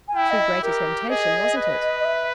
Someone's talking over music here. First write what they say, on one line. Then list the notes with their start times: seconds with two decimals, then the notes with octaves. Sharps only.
Too great a temptation, wasn't it?
0.08 G#5
0.15 E4 G5
0.31 D#5
0.63 G4 A#4
1.09 G#4 D#5
1.57 B4
2.00 D#5
2.05 E5